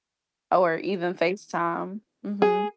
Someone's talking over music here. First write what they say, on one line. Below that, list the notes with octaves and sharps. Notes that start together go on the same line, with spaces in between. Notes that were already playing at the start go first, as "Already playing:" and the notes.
or even FaceTime. Mhm.
G#4